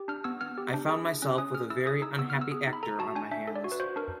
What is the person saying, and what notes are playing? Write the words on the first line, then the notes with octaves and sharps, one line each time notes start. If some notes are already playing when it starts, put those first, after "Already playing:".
I found myself with a very unhappy actor on my hands.
Already playing: G4
D4 F6
B3 E6
B3 F6
G4
D4
G#4
E4
C#4
C#4 D#6
G#4 F6
E4 E6
G#4 D#6
D#4 E6
B3 E6
F6
B3
E6
G#4
D#4
B5
A4 A#5
F#4 A5
D4 G#5
D4 E5
A4
D5
F#4
B4
F#4 C5
D4 A#4